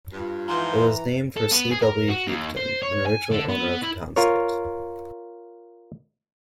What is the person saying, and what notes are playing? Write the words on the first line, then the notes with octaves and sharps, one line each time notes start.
It was named for C. W. Houghton, an original owner of the town site.
G2 F4
G#2 E3 F3 A#5 C6
A4
B3
G#4
A#4
F#4
D#2
C5
C#5
G#5
D3
B3
E4
F4 A#4 C#5